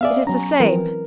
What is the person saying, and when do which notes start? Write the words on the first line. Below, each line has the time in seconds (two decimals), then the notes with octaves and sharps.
"It is the same."
0.01 B3 G#4 D5 E5 F5
0.27 F#3 C#4 A#5
0.60 E3 F#3 C4 A#4